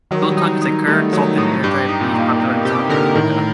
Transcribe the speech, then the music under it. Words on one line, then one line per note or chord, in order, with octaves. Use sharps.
Biltong is a cured, salted, air dried beef popular in South Africa.
D#3 F#3
G3
F#3 D#4
D#4
G3 A3
D#3 F#3
A2 D#4
G2 G4
D#4
A#2
A#3
A#3
C3 G4
D3 A#4
A2 D#3